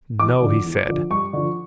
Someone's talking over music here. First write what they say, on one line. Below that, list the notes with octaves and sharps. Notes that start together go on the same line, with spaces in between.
"No!" he said.
E2 D6
D3 F3
E2
D3 F3
G2 C#6
D3 F3